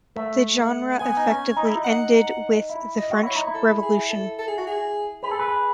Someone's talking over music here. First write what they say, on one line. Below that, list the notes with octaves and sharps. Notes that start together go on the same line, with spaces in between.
The genre effectively ended with the French Revolution.
A3 E5
F#5
B3 G#5
D#4
C#4
D#4
E4
D#4
F#5
E4
D#5
F#4
E4 C#5
D#4
E4
A4
G#4
A4
A4
G#4
F#4
G#4
G#4 B4
A4
B4